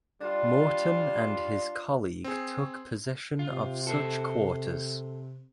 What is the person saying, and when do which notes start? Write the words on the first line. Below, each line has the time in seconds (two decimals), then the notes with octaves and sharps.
Morton and his colleague took possession of such quarters.
0.22 G3 D4 F4
2.24 C4 G#4
3.39 C3 F4
3.87 A4 C5 E5